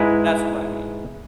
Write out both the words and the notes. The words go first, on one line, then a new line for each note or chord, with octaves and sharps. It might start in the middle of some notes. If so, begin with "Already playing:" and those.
That's what I mean.
Already playing: G#2 G#3 E4 B4